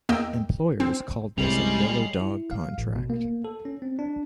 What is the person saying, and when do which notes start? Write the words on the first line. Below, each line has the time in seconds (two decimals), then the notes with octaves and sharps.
Employers called this a yellow-dog contract.
0.09 E2 A#3 D#5 G5 E6
0.80 C4
1.38 C2 C3 G3 G#3 C#4 C7 F7 F#7
2.21 E4
2.51 F5
2.78 A1
2.96 B2
3.10 A#3
3.44 A4
3.65 C#4
3.82 C4
3.99 D4